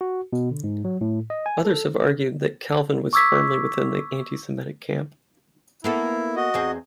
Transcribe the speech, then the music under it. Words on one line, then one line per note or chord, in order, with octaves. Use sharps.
Others have argued that Calvin was firmly within the anti-semitic camp.
F#4
B2
D3
G#2
F#3
A2
D#5
G#5
A4
C#6 D6 E6 G#6 B6
A#3 B3 E4 A4
F#4 D#5
E2 C4 G#4